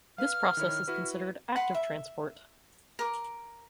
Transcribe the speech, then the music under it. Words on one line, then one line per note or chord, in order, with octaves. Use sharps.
This process is considered active transport.
B4 F5 F6
D#3 E4 C#5
E4 F#4 B4
F#5 B5 C6
E5
A#4 D6